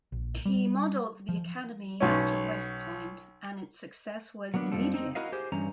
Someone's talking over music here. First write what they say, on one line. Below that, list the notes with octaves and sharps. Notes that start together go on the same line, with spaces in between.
He modeled the academy after West Point and its success was immediate.
A#1
G3
F3
B1 C#4
F#3 A#3 B3 D4
F2 B2 F3 G3 C4 A4
C4 D#4
E4 F#4 A#4 D#5 F5
G4 G#4 C5
G2 E3 C#4 A#5